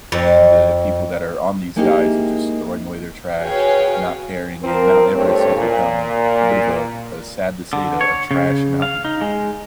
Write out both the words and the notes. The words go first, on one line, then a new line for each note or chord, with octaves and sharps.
and the people that are on these guides are just throwing away their trash, not caring, and Mount Everest has become a bit of a uh, sad to say it, uh, a trash mountain.
F2
G#3 A#3 C4 D#4 E4 G4
F#4 G#4 B4 C#5 F5 G5
F3 C4 A#4
G2 A3 C4 A4 C#5
A#2
D3
C#5
C#3
F5
D#4
G#3